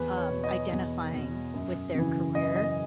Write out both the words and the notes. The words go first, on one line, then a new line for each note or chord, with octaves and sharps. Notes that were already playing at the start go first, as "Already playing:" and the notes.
um, identifying with their career
Already playing: E2 B4
C#5
B2
D#5
E2
B2
F#2
C#3 E3
F#2 D#5
D#5